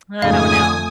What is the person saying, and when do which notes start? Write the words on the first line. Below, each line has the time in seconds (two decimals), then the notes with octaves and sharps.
I don't know.
0.22 F2 G#2 C#3 A3 D#4 F5 G#5 D#6